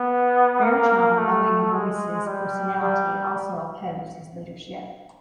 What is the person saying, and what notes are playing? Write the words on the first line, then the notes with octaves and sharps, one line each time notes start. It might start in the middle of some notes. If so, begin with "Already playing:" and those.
Fairchild, knowing Noyce's personality, also opposed his leadership.
Already playing: B3
A#3
A3
G#3
G3
G3